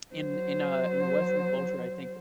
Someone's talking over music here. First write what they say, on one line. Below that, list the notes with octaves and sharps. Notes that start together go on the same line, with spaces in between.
In in a in the Western culture, I think,
F#3 C5